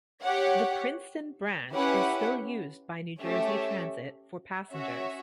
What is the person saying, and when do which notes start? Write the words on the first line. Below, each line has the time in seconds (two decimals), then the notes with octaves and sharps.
The Princeton Branch is still used by New Jersey Transit for passengers.
0.23 G4 C#5 F#5
1.72 C#4 E4 G4 B4 F#5
3.21 A3 C#4 G4 C#5 E5
4.71 C#4 F#4 C#5 E5